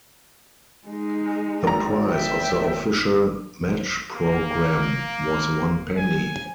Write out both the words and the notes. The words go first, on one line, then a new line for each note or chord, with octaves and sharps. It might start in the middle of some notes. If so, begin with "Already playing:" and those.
The price of the official Match Programme was one penny.
G#3 D#4
G#1 A#5
E5 G5
A#3
G#5